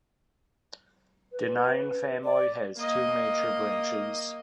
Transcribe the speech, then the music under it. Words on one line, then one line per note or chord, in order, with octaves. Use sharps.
Dynein family has two major branches.
B4
D5
A#3 D#5